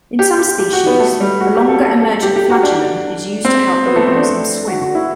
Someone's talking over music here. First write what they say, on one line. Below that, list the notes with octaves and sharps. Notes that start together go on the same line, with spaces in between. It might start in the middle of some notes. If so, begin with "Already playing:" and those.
In some species, the longer, emergent flagellum is used to help the organism swim.
G4
G4
G4
F#4
B3
A3
G3
F#4
G4
A4
A4
A4
G4
G4
F#4
D4
C4
B3
A3
C4
D4
F#4
F#4
E4